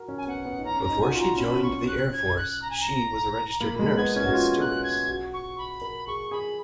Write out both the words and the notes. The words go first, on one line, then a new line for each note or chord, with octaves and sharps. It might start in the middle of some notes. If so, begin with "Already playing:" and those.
Before she joined the Air Force she was a registered nurse and a stewardess.
Already playing: F#4 A#4
C#4
G#5
B3 F#5
B3
D#4
C#4 A#5
A#5
D#4
F#4 G#5
F4
A#5
C#4 B5
C#6
F#6
G#6
F#6
A#5
G#5
A#5
A#3 B5
G#3 B5
B3 G#6
C#4 G#6
F#4
F4 G#6
F#6
G#6
F#4
C#6
B5
A#4 B5
G#4 C#6
G#4 B5